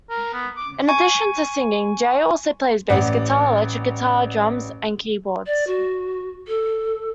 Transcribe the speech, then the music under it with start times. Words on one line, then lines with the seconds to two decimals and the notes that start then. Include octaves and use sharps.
In addition to singing, Jey also plays bass guitar, electric guitar, drums and keyboards.
0.10 A#4
0.33 B3
0.57 D6
0.89 G#5 C#6
2.90 A1 D5 F#5
5.46 D5
5.67 F#4
6.47 A4